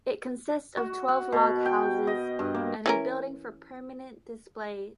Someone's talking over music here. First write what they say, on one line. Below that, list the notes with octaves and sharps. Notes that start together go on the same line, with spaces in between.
It consists of twelve log houses, and a building for permanent displays.
F#4
F#5
B2
G5
D#5
G2
A#3
E3 C#4 A#4